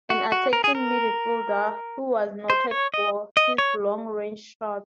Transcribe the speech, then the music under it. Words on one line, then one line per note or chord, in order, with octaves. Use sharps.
An attacking midfielder, he was noted for his long-range shots.
F#4
F#4
A#4
G#4
A#4
C5
C#5
D#5
D#5
C#5